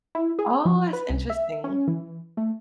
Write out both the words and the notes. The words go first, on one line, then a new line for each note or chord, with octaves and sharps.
Oh, that's interesting.
E4
G#4
F3
B4
C2
E5
C#4
E3
A3